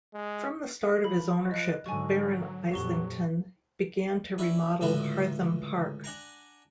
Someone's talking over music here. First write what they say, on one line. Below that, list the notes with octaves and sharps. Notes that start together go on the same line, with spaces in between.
From the start of his ownership, Baron Islington began to remodel Hartham Park.
G#3
F3 B5
D#5 F#6
G#2 D3 F#3 G#5 C#6
F2 A#2 G4 C#6 G7
C#4 D4 E4
C#2 A2 D3 F4 F#4
D4 F#5 G#5 A#5